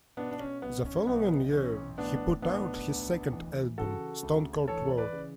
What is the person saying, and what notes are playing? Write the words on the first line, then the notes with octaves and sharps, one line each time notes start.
The following year, he put out his second album, "Stone Cold World".
B2 B3 D4
D4
C#4
B1 B3
C#4
B1 B3
E3 C#4
A2 B3 D4
B1 B3 D4
D2
E3
C#3 F#4 A4
D2
E3 A4 C#5
B4 D5
C#3